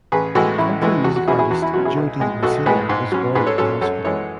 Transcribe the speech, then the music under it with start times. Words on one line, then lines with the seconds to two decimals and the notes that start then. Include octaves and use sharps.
Country music artist Jo Dee Messina was born at the hospital.
0.12 A1 G#4 B4
0.35 A2 E3 G#3 F#4 A4
0.58 A1 E4
0.81 A2 E3 G#3
1.04 E2 F#4
1.16 F#4
1.28 B2 F#3 C#4 E4 G#4
1.39 E4 G#4
1.50 E2 F#4
1.62 E4
1.74 B2 F#3 C#4 F#4
1.85 E4 G#4
1.97 B1
2.20 A2 G#3
2.43 B1 F#4 A4
2.66 A2 G#3 G#4 B4
2.89 G#2
3.12 F#3 C#4
3.35 G#2 G#4 B4
3.46 A4 C#5
3.58 F#3 C#4 A4 C#5
3.81 F#2 A4 C#5
4.05 E3 G#3 A4 C#5